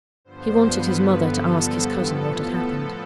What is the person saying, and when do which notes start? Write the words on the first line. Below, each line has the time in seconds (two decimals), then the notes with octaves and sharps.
He wanted his mother to ask his cousin what had happened.
0.25 G2 D3 F3 B3 C5
0.69 B4
1.14 A4
2.04 A2 F3 B3